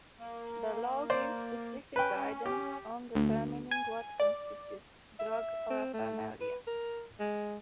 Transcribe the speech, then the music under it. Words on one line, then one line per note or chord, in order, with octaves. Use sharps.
The law gives specific guidance on determining what constitutes drug paraphernalia.
A#3
C5 D5
C#4 B4 G5
G4
D2
G#5
D5
E5
C4
A3
B4
A#4
G#3